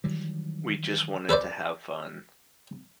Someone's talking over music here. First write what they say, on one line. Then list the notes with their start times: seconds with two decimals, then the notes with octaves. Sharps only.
We just wanted to have fun.
0.04 D#3 E3 F#3 G3
1.29 A4 B4 C5 D5